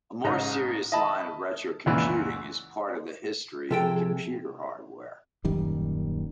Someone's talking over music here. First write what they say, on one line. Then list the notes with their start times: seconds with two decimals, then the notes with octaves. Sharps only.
A more serious line of retrocomputing is part of the history of computer hardware.
0.24 A1 G#2 C#3 D#4 A#5
0.92 D#5 E5 A5 B5
1.86 C#2 F#2 A#2 E3
3.71 C3 F3 G#4 A4 G5
5.45 D#1 F#2 D#3 G3